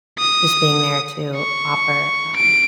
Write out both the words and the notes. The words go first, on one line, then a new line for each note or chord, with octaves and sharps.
just being there to offer, um,
D#6
C#6
D7